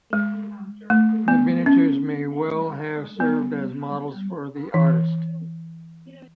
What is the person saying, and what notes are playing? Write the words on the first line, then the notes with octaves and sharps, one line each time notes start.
The miniatures may well have served as models for the artist.
G#3
A3
B3
C#4
B3
E3